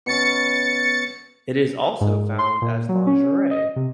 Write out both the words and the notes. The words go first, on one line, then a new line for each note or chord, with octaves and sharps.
It is also found as lingerie.
B2 C#4 A6 C#7
G#2
C6
A#2
F#3
C#4
D#5
C3